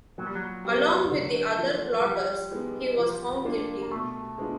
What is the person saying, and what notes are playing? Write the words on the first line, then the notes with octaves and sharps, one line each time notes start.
Along with the other plotters, he was found guilty.
A#2 F#3
G3
F#3
G3 B3
D3
F3 A#3
F#3
F3 G3
G#3 B3 D#4
F3
A#3 D4 F4
A#3
B2 A3
G#3 B3 D4 F4